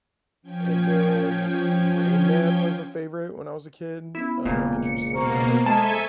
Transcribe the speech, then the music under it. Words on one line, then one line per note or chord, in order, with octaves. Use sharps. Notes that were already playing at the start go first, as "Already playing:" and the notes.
and then, uh, Rain Man was a favorite when I was a kid, uh, interestingly,
F3 C#4 G5 G6 G#6
B3 C#4 E4
E1 C#2 A#2
C#7
B2 A#3 C5 A#5 C#6
G#3 A4 E5 G#5 A5